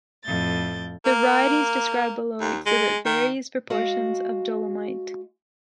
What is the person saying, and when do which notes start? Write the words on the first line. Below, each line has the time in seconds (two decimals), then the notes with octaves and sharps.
The varieties described below exhibit various proportions of dolomite.
0.24 F2 A2 G6 A6
1.06 A#3
2.41 D#2
2.66 G#3
3.06 D#3
3.70 G#3 F#4 F5